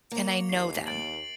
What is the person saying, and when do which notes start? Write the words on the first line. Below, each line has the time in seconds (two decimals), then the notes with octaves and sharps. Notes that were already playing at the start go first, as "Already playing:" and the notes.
and I know them,
0.11 A#3 C#5
0.49 D#2 C7
0.86 A6 D7 F#7